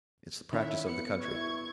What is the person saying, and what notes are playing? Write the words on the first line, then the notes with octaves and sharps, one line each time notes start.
It's the practice of the country.
D#3 C#4 E4 E5
B3 C#7
E4 C#6 G#6